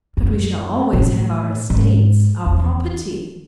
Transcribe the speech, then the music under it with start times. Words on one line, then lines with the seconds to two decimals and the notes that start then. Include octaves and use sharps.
"But we shall always have our estates, our property."
0.17 F#2
0.93 A2
1.70 G#2
2.46 E2